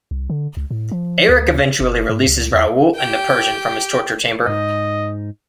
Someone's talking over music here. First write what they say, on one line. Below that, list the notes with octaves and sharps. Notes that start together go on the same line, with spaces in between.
Erik eventually releases Raoul and the Persian from his torture chamber.
C2
D3
C#2
A2
F3
D2
F#1
G#2
C#2
E2
G4 G5
G#2 D#4 D#5